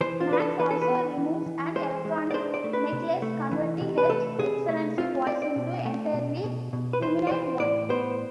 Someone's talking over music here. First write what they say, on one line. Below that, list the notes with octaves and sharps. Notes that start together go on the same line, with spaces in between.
Max also removes an electronic necklace converting Her Excellency voice into entirely feminine one.
E3 C5
F4
D4 B4
A4
E3 B4
A4
B4
B3
E3
E3
G#3 C5
G#3
D5
D4 C5
D5
A3
B4
C3
A3
E3
C3
B4
A3 A4
C3 G#4
A3
C4 F4
C4 D5
D5
B2
A3
B2
B2
B2
B4
E3 C5
D5
E3 C5
A2 D5
B3 C5